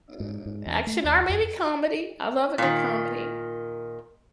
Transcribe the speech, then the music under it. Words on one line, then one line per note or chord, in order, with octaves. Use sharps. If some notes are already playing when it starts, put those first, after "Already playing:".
Mm, action or maybe comedy, I love a good comedy.
G#2
G#2
E2
A3
D#2
F2
A#2 D#3